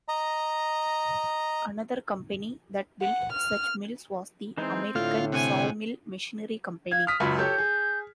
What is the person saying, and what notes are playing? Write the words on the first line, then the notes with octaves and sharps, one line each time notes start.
Another company that built such mills was the American Sawmill Machinery Company.
D#5 A#5
F#5
F6
E3 G#3 C4 D#4
A2 D3 F4 F6
C3 F#5 G#5
F5 G#6
D#6 F6 B6
C#2 F#2 B5
G4 A4 C#5 G6
G#4